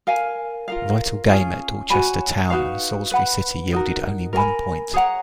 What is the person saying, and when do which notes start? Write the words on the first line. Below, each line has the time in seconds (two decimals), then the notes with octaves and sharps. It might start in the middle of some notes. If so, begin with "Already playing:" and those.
Vital game at Dorchester Town and Salisbury City yielded only one point.
0.07 A#4 F5 G#5
0.68 F4 A#4 F5
1.28 C#4 F4 G#4
1.90 F#4 C#5 G#5 B5
2.50 D#4 F#4 B4 F5
3.11 B4 F#5 B5
3.73 D#4 F#4 A#4
4.33 A#4 C#5 G#5 B5
4.94 G#4 C#5 F#5 A#5